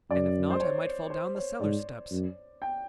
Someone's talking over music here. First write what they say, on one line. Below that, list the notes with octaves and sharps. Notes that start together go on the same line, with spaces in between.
And, if not, I might fall down the cellar steps.
F#2 D5
C5
C#5
C5
C#5
G#2 D5
F#2
G5